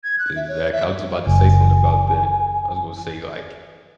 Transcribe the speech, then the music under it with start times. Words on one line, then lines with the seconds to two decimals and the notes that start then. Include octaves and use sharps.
Exact I was just about to say something about that. I was gonna say, like,
0.04 G#6
0.19 F#6
0.36 E5
0.48 C#5
0.72 E5
1.27 F#1 G#5